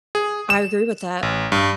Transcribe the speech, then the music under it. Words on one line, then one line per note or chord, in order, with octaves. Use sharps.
I agree with that.
G#4
E7
A1
G2